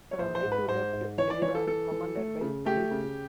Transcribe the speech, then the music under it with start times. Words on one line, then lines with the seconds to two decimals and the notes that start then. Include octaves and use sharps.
From right to left, they were commanded by Brig.
0.11 C#5
0.19 A#1 C5
0.35 C5
0.43 G#2
0.52 B4
0.68 G#2 C5
0.93 G#2
1.18 E3 C#5
1.30 D5
1.42 E3 C#5
1.55 A4
1.67 E3 A4
1.91 E3
2.16 A3
2.41 C#3
2.65 A3 G4
2.91 C#3